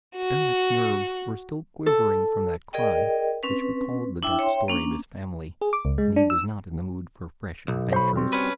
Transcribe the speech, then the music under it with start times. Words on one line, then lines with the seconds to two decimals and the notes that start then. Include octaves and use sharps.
The baronet's nerves were still quivering from that cry, which recalled the dark story of his family, and he was not in the mood for fresh adventures.
0.17 F#4
1.86 A4
2.73 G#4 A#4 D5 D#5 G5
3.43 C4 C#4 B4
4.23 D4 E4 E5 G5
4.39 C#5 E5 G5 C6
4.68 A#3 C#4 D4
5.61 G#4
5.73 D6
5.85 C#2
5.98 G#3
6.16 D4
6.30 E6
7.68 B1
7.92 C5 C#5 B5
8.16 G3 C4 F#4
8.33 C#4 B4